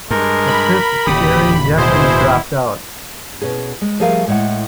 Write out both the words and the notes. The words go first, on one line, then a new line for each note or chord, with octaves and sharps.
A fifth, Cheri Yecke, dropped out.
G2 G#3 A#4
B5
D1 D#2 C#3 G4 D#6
B2 E4 G#4 C5
B2 C#4 G#4
G#3
F3 G3 A3 G#4 A#4 F5
A2 G#3 F#5